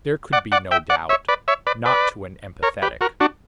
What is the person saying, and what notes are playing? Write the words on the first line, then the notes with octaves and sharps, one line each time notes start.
There could be no doubt, not to an empathetic.
D5 F#5
D5 F#5
E5 G5
D5 F#5
C#5 E5
B4 D5
C#5 E5
B4 D5
B4 D5
A#4 C#5
G4 B4
F#4 A#4
D4 F#4